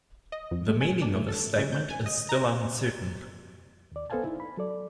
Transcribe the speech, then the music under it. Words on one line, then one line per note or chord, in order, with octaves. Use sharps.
The meaning of his statement is still uncertain.
D#5
F2
A3
G#5
D4
A2
A4
C#3
G6
G#5
D#5
A#5
D#2 D5
B3 A4 C5 F5 G#5 A5
D#4 E4
B5
F#3 A4 D5